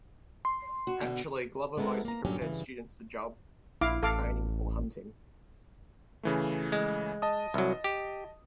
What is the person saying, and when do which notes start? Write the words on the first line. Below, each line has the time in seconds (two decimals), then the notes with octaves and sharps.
Actually, Glover mostly prepared students for job training or hunting.
0.45 C6
0.87 F#4
1.02 B2 D3
1.77 G#3 B3 E4 A4 A#4
2.05 A#3 A#5
2.25 G2 A#2 D3 F#3 C#4 G4
2.42 G2 C#3 E3
3.81 A#1 E4 F5 D6
4.03 A1 A4 F5 D6
6.23 C#3 E3 A3
6.72 G#3
7.22 D#5 A5 D#6
7.54 C2 F#3
7.84 G4